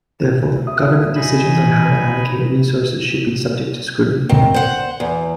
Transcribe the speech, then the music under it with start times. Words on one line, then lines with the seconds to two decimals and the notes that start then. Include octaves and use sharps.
Therefore, government decisions on how to allocate resources should be subject to scrutiny.
0.67 F#4 E5 D#6
1.15 D#4 G#5 B5
1.45 D#3 E3
1.85 B4
4.29 D#3 C4
4.54 C5 F#5
5.00 E2